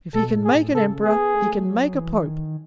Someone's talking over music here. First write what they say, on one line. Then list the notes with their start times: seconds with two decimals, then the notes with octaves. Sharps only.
If he can make an emperor, he can make a pope.
0.14 B2 A4
0.35 A2
0.45 G#4
0.55 A2
0.74 C#3 A4
1.05 B3 G#4
1.35 A3
1.65 F#3
1.94 E3
2.25 D#3